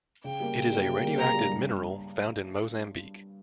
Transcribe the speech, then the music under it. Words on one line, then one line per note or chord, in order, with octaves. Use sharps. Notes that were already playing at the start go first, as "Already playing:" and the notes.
It is a radioactive mineral found in Mozambique.
C#3 G5
G3 A#3
C#3
G3 A#3
C#3
G3 A#3
C#3 A#5
G3 A#3
G2